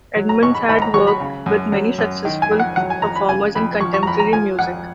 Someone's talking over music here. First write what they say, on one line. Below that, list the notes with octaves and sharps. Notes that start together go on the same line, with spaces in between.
Edmonds has worked with many successful performers in contemporary music.
F#3
A#5
G#2 C#6
B5
G#2 B5
A#5
F#3 C#6
B5
C#3
F#2
F#3
F#2
D#3
G#5
F2
F#5
F#3 F#5
G#5
F2 A#5
B5
C#3 G#5
F2 B5
F3 C#6
C#6
A#5
F2 B5
A#5
F3 G#5
F2 F#5